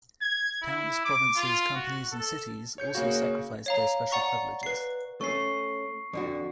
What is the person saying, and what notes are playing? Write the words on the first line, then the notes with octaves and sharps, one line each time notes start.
Towns, provinces, companies, and cities also sacrificed their special privileges.
G#6
E4
D6
F4
F#4
A4
C#5 G6 C#7
C#3 A#3 F#4
C#5 F5 A#5
D5 F#5 A#5 C#6
B4 C7
A3 C#4 C#6 C7
F2 D3 F#4